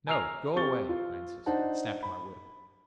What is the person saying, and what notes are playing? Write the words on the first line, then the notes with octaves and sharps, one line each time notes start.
"No; go away," I insisted, and snapped my whip.
G#5 A#5 E6 F6 C7 F7
C4 G4 C#6 A6 G7
F4
D4 D#4 C5 F#5 A5
B5